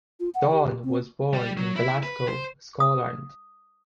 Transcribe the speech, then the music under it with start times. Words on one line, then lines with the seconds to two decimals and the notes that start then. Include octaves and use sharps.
Dunn was born in Glasgow, Scotland.
0.20 F4
0.35 F#5
0.52 G4
0.84 C4
1.33 G3
1.57 F#3
1.76 E4
2.03 B4
2.28 C5
2.80 D#6